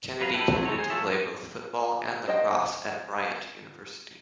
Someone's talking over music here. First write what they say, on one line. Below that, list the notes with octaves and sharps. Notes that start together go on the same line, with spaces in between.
Kennedy committed to play both football and lacrosse at Bryant University.
F#3 B4 F5
D#4 E4 G4 A4 B4
F#3 A3 C4
D#3 G#3 D#4 E4 C#5
G#4 C5
F3 F#3 F4 A4 C#5 E5
C5 D#5 G5